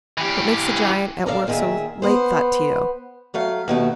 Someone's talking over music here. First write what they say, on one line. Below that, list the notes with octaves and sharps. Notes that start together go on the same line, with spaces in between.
"What makes the giant at work so late?" thought Tito.
E3 G4
A4 A#4 D5 D#5 F5
A#2 D#3 G#4 A#4 E5
B3 C5
F#3 A3 F5
D#2 B2 A3